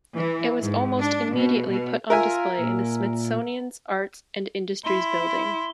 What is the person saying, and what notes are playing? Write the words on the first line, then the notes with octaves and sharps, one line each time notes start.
It was almost immediately put on display in the Smithsonian's Arts and Industries Building.
E3
G#2
D4
B2
B2
F4 A#4 E5 G#5
A#2
E4 C6